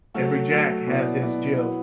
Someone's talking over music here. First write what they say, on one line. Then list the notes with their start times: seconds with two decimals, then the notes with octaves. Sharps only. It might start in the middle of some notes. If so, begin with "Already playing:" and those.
Every Jack has his Jill.
0.14 F#3 A3 F#4 A4
0.51 F#3 A3 F#4 A4
0.87 B2 F#3 B3 E4 D5
1.22 B2 F#3 B3 E4 D5
1.58 F#3 B3 E4